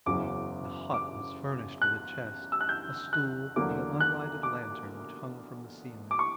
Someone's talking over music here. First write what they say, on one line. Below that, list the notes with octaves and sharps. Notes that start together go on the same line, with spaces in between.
The hut was furnished with a chest, a stool, and an unlighted lantern which hung from the ceiling.
F#1 E2 C#3 F#3 C#4 D6
D6
F#6
E6
F#6
G6
F#6
E2 D3 F#3 A#3 D6
F#6
D6
D6
C#6